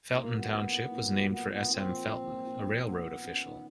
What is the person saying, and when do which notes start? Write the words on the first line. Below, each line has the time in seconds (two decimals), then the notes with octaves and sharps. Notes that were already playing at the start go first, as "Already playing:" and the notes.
Felton Township was named for S. M. Felton, a railroad official.
0.15 A#2 A#3
0.34 F#3 B3
0.53 A#3
0.73 A#2
0.92 A#2
1.12 F#3
1.30 A#3 B3
1.50 A#2 B3
1.69 A#2 C4
1.89 F3
2.08 A#3
2.28 A#2
2.47 A#2
2.66 F3
2.85 A#3 B3
3.05 A#2
3.24 C#4
3.44 D#3